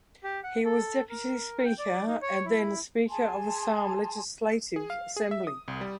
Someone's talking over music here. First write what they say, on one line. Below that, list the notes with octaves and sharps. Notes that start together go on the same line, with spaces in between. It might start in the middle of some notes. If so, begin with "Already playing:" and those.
He was Deputy Speaker and then Speaker of Assam Legislative Assembly.
G4
F#5
A4
A#4
G5
D5
D#4
C#5
E4
G#4 G#5 A5 C6
G#4
F5
G#4
E5
D#6
C2
G3